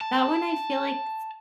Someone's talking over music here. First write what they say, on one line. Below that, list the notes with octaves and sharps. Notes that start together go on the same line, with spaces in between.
that one I feel like,
A5